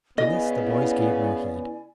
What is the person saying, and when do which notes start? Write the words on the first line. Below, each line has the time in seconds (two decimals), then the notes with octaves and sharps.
To this the boys gave no heed.
0.18 C#3 B3 E4 D5 D#5 G#5